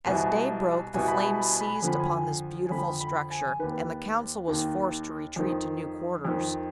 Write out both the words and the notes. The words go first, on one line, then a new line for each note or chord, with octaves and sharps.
As day broke the flames seized upon this beautiful structure, and the Council was forced to retreat to new quarters.
C2 B2 G#5
C2 B2 G#5
B5
G#5
B5
G#5
B5
G#5
F2 D3 F3 B5
G#5
G#5
F2 D3 F3 B5
B5
G#5
D#2 D#3 B4
D#2 D#3
F2 D#3
F2 D#3